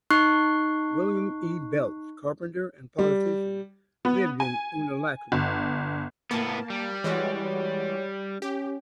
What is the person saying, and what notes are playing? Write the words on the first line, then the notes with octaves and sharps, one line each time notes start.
William E. Beltz, carpenter and politician, lived in Unalakleet.
D#4 C#6 F#6 C7
G3
B3
G#5
G1
A2 A#3 B3 A5
G3
E3 G#3 F#4 C#5
C#5
C#4 G4